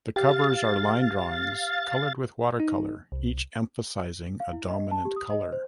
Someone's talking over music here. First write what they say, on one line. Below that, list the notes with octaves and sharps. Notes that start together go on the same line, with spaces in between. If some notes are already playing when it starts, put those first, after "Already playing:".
The covers are line drawings colored with watercolor, each emphasizing a dominant color.
G4 F5 A6
D#4
C2
F5
E4
D#5
A5
G4
D#6
D#5
C5